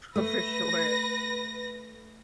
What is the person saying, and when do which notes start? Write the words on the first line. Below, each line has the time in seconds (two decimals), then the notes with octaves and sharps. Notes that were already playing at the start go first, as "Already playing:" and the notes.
Oh, for sure.
0.16 A3 B4 A#6